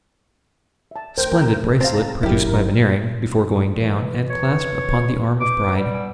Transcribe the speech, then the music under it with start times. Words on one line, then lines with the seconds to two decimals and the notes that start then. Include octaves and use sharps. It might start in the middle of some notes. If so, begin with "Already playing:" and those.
Splendid bracelet, produced by Veneering before going down, and clasped upon the arm of bride.
0.91 E5 A5
1.18 D2 A#4 C5 G5
1.81 C4 C5 F5 A5 A#5
2.23 G1 F#2 E4 G4 A#4
3.81 E3
4.30 E2 C#5
5.41 B4 D6 G6
5.76 G3 F#5
5.94 G#5 E6